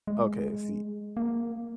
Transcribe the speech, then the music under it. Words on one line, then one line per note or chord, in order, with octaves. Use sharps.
Okay, I see.
G#3
A#3